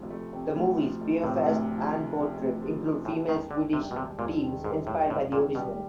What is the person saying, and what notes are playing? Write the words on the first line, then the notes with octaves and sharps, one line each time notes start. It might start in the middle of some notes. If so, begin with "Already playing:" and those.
The movies "Beerfest" and "Boat Trip" include female Swedish teams, inspired by the originals.
Already playing: D2 C3 F3
A3
C3
D2
F3
A3
A2 C3
D2
F3
A3
C3
D2
F3
A3
D#2 A2
E1 D#3
D3 D#3
C3 G3
B2
D#2 C3
E1 A#2
D#3
G#2 G3
D#2 A2
E1 A2
A#2 D#3
B2 G3